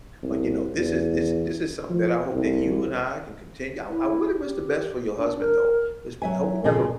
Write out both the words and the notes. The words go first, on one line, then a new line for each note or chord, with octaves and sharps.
but, you know, this is this this is something that I hope that you and I can continue I r I really wish the best for your husband, though, it's f hope we have a
C2
E2
F3
C2
E4
G4
D4
A#4
F#3 E5 G#5
A#2 C#3 F3 G#4 A4